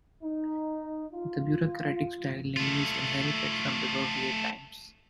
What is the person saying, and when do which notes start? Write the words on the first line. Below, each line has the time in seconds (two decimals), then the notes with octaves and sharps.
The bureaucratic-style name is inherited from the Soviet times.
0.23 D#4
1.13 F4
2.57 A3 F4